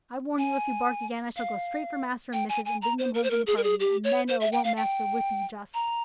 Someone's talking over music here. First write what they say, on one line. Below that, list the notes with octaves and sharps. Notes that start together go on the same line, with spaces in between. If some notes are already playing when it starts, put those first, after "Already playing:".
"I warn you if you bark again I shall go straight for master and missus and bring them home from the party, and then, oh, won't master whip you, just."
G#5
F5
G5
G#5
G#5
A#5
C5
A#4
C5
A#4
G#4
A#4
G#4
G4
C#5
C5
E5
G5
F5
G5
A#5